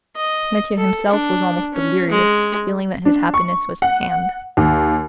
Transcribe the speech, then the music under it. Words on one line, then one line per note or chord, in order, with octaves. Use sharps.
Mitya himself was almost delirious, feeling that his happiness was at hand.
D#5
A4
D4
C#4
G#3
D4
C#6
F#5
D#2